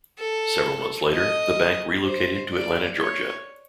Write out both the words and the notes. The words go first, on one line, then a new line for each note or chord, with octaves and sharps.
Several months later, the bank relocated to Atlanta, Georgia.
A4
D#5
C5
D5
C#5